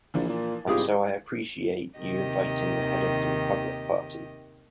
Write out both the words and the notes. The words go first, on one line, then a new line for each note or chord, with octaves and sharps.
And so I appreciate you inviting the head of the Republic Party.
A#1 E3 F3 D4
A#2
C2 G#2 B3 F4 G4 G#4
D#2 C3 D#3 G4 D#5